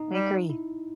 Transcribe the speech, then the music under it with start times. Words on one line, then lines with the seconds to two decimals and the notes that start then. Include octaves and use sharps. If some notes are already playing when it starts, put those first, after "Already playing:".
I agree.
Already playing: D#4
0.12 G3
0.50 E4